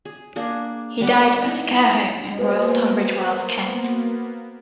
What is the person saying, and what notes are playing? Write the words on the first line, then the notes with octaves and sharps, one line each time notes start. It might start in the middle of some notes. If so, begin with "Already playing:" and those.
He died at a care home in Royal Tunbridge Wells Kent.
G#4
A#3 D4 G#4
G3 B3 F#5 D6
D#4 E4
A#3 B3 F#4 B4 C5